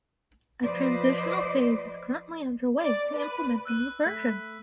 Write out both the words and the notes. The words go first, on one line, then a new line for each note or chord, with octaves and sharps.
A transitional phase is currently underway to implement the new version.
F3 B4 C5 D5 D#5
D5
B4
E6 F#6 D#7
A3 B5 B6